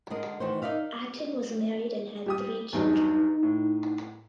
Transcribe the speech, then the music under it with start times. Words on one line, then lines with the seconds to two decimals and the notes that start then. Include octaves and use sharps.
Aten was married and had three children.
0.10 D3 G#3 A#4 D#5
0.40 D#3 E3 A3 D#4 F#4 C5
0.62 D#4 A#4 D5 E5 F5
2.26 G3 G4 D#6
2.73 E2 G2 F#3 D#4
3.43 A2